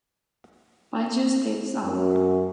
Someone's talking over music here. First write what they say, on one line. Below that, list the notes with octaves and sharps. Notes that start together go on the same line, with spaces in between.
Banjo Steps Out.
F#2